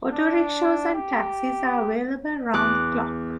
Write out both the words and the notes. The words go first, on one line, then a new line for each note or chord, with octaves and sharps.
Autorickshaws and taxis are available round the clock.
D4
G4
E2 D6 F#6